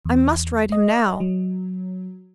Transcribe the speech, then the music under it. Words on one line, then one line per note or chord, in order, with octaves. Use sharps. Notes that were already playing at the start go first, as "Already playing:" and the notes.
I must ride him now.
E2
D#5
F#3